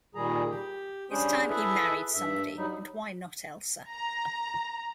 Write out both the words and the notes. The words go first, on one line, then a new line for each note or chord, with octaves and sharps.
It's time he married somebody, and why not Elsa?
A#2 D#3 G3 G#4 A#5
G4
G3 C#4 D4 G#4 C5
E4 G#4 A4 B4 E5
G2 E5
F#3 G3 D#4
A#5